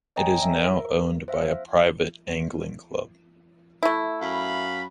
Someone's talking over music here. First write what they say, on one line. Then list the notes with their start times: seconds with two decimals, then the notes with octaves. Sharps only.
It is now owned by a private angling club.
0.16 C#5 D#5 G5 G#5 A#5
0.42 E5
0.56 A#4
1.28 C5 E5 F5
3.83 A3 E4
4.20 F#2 F5 B5